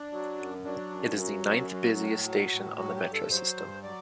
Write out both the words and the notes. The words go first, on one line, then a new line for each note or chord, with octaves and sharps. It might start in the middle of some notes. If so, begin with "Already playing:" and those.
It is the ninth-busiest station on the Metro system.
Already playing: D4
F#3
F#2
F#3 D4
F#2
F#3
F#2
F#3
A2
F#3
A2
F#3 F#4
G4
G2
A4
F#3 C5
G2
F#3 D5